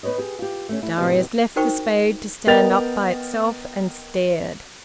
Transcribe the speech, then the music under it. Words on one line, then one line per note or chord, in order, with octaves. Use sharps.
Darius left the spade to stand up by itself, and stared.
B3 D#4 B4 C#5 D#5
G4 G#4
F4 G4
A3 C#4
A3 E4
A2 C3 F#3 B3 G4 D#5
D#4 F#4 A#4 C5 G5 C#6
B3 A#4 D#5 G5 A6 F7